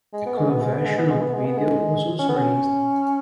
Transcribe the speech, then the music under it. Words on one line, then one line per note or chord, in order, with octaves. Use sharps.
A color version of the video was also released.
G#3
B3
G#3
B3
G#3
B3
G#3
B3
G#3
B3
G#3
B3
G#3
C#4
B3
C#4